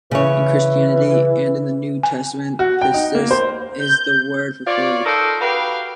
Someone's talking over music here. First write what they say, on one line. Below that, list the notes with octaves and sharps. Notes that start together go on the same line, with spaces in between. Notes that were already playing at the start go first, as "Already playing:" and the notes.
In Christianity and in the New Testament, Pistis is the word for "faith".
C#3 E3 C#5
G#5
F#4
G5
D#4
A#3
C5
G6
F4 C#5 D5
D#4 A4 A#4 C5
F#4 G4 B4 F5